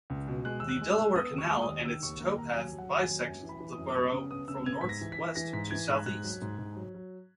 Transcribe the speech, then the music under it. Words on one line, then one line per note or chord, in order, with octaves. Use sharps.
The Delaware Canal and its towpath bisect the borough from northwest to southeast.
C#2
B2
G#3 F#6
D#2 E6
F#6
G#3
E6
G#3
B3 D#6
D#2
C#6
G#3
D#6
D#2
D#3 E6
D#2 C#6
A#3
D#2 A#5
F#3 G#5
F#3
F#5
D#2
G#5
F#3
F#2 G#5
E3
B5
E3
D#6
F#2
D#6
B3 C#6
C#3 D#6
B3 D#6
C#3 E6
B3 G#6
G#2 B6
A#6
E3
B6
E3
E3 A#6
G#2 B6
E3 G#6
G#2 F#6
G#2 F#6
F#3
G#2
G#2
F#3
F#3